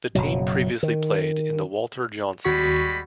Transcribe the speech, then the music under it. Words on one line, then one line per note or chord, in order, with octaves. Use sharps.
The team previously played in the Walter Johnson League.
F#1 B2 F#3
D#3
D#2 G3 G#3 F#4 B5 C#6